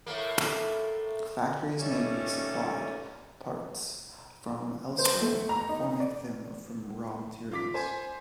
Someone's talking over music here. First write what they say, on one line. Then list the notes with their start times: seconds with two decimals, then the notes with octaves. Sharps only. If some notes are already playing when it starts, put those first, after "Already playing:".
Factories may be supplied parts from elsewhere or make them from raw materials.
0.06 A2 A3 A#3
1.79 A#2 G3 A3 C#4 D#4
4.98 C5
5.21 A3
5.49 A#5
5.69 D#4
6.00 D5
7.52 F4 D6 B6
7.74 C5 G#5